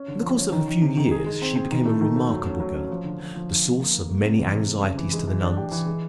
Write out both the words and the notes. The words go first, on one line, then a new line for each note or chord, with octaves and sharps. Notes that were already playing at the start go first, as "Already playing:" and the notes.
In the course of a few years she became a remarkable girl, the source of many anxieties to the nuns.
Already playing: C#4
D3
F3
C#4
D#3
D#3
C3
D#3
G#4
G#3
C4
C4
D#3
A3
D#3
A3
F#3
C#4
F#3
C#4
F3
D3
F3
F3
D3
D3
A#3
A#3
A3
C3
E3
C3
G#3
C#3
E3
G#3
E3
D4
G4
E3
G#3